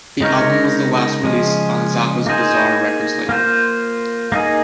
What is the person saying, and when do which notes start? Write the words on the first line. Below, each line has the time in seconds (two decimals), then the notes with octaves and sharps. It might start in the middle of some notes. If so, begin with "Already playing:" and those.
The album was the last release on Zappa's Bizarre Records label.
0.21 C#3 G#3 D#4 A#4 C#5
1.24 C#3 F3 G#3
2.26 A#3 D#4 G#4 C5
3.29 A#3 F4 C5
4.32 A#3 D#4 G#4